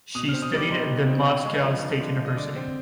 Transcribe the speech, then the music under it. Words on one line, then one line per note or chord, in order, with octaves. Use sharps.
She studied at the of Moscow State University.
B2 D#6
F6
C4
D#6
G3 D6
D#4 C6
B2
C4
D3 G5
D#5
G#3
B4
F3
D4
D3
G#3
D#5
D3 D5
C4